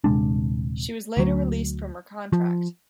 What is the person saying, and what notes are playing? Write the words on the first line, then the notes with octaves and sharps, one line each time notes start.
She was later released from her contract.
D#1 C3 G#3 D4
D2 F#3
F3